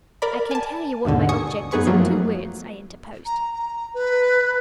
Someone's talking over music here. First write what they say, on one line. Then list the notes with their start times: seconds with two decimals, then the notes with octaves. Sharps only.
"I can tell you what my object is in two words," I interposed.
0.22 A#4 D5 B5
0.51 G#5 A5
1.05 D#2 G#2 B2 D3
1.29 G#5 C#6 D#6 C#7
1.72 F#2 B3 D#4 G#4 B4 C#6
1.87 F3 F#3 A3 A#3
3.26 A#5
3.54 A#5
3.94 B4